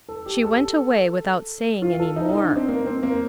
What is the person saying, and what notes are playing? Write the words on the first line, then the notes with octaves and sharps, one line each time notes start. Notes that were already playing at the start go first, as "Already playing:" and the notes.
She went away without saying any more.
A4
G4
A4
F4
A4
D#4
D#4
D4
C4
A#3
C4
A#3